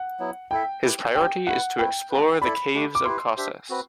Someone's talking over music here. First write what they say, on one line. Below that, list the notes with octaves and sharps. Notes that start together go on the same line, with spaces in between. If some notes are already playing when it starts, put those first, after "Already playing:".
His priority is to explore the caves of Causses.
Already playing: F#5
F#3 B3 E4
E4 A4 E5 G5
E4 G4 B4
F#3 B3 D4 G4 G5
A3 E4 B4 F#5
A3 C4 E4 B4 G5
G3 B3 F#4 B4
E4 A4 D5 B5
A3 D4 G4
D6
E4 G4 B4 C6
D4 G4 C5 E5
C4 F#4 B4